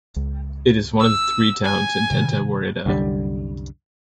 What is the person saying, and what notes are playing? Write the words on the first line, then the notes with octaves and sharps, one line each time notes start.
It is one of three towns in Tenta woreda.
C#2
E6
G#5
A2 C3 D#3
C2 F#2 D3 G3